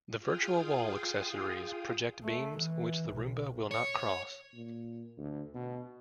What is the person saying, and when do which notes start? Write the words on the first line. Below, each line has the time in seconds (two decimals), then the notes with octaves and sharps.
The virtual wall accessories project beams, which the Roomba will not cross.
0.19 F4 G#4 F5 G5 D#6
2.24 A3
2.59 E3
3.10 B1
3.71 C#5
4.54 A#2
5.18 D2
5.54 B2